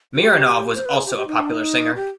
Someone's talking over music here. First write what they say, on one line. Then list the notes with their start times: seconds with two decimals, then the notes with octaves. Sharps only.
Mironov was also a popular singer.
0.15 G4
0.75 C5
0.86 B4
0.95 G#4
1.05 G4
1.17 G4
1.28 D#4
1.39 D4
1.50 D#4
1.96 G4